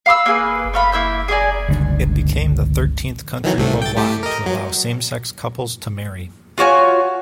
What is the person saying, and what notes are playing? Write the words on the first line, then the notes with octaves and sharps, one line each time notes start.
It became the thirteenth country worldwide to allow same-sex couples to marry.
F5 B5 D#6 E6
A#3 G#4 B4
A3 F5 B5
A#3 E4 E6 G6
G#4 A#4 D5 G#5
G1 C#2 C4 D4
D#3 E3 F#3
C2 C3 A3
G5 A6
A2 A3 G4
A#4 D#5
F#3
F4 F#4 C#5 G#5